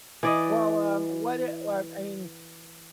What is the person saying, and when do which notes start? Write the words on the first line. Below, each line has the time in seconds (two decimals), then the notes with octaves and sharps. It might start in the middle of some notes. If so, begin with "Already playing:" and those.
Well, um, what eh, what I mean,
0.23 E3 D5 D#5